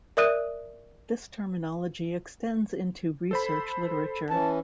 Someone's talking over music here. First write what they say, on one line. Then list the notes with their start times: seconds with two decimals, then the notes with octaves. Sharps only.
This terminology extends into research literature.
0.17 A#4 D5 E5 D#6 F#6 D#7
3.31 A4 C5 B5
4.30 E3 C#4 A5